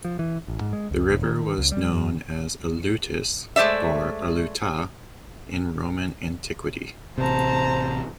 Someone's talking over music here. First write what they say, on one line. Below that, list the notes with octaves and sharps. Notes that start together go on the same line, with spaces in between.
The river was known as "Alutus" or "Aluta" in Roman antiquity.
F3
E3
A1
G#2
G#3
C#2
E1
D#3
C#2
G3
F#2
G#3 A3 C5 D5 E5
A1 C3 C5 A5 A#5